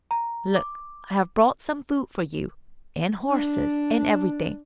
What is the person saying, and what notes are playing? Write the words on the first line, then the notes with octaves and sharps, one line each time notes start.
Look, I have brought some food for you, and horses, and everything.
A#5
D6
D4